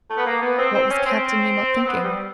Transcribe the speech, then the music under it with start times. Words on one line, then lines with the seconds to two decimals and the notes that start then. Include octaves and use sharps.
What was Captain Nemo thinking?
0.09 A3
0.17 B3
0.25 A#3
0.41 B3
0.57 C4
0.74 C4
0.90 C#4
1.06 C4
1.87 B3
2.04 G3